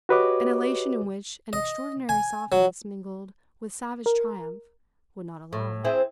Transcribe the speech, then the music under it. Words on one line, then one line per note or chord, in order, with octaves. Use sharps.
An elation in which an extraordinary softness mingled with savage triumph would not allow it.
F#4 G4 B4 C#5 D#5 D6
D#5
G#5
F#3
A#4
A2
C4 E4 G#4